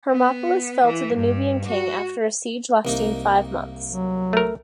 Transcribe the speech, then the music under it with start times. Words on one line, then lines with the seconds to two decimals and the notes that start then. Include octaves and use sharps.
Hermopolis fell to the Nubian king after a siege lasting five months.
0.11 B3
0.85 E3
1.15 G2
1.68 F#4
2.85 C2 A#3 D#4
3.90 F#3
4.33 A3 A#4